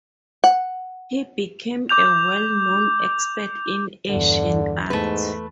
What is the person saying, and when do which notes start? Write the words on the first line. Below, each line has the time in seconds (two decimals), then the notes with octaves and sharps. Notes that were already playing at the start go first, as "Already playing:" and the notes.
He became a well-known expert in Asian art.
0.44 F#5
1.89 D6 G6 F7
4.10 E2 G2 D3
4.90 E2 G#2 A3 B4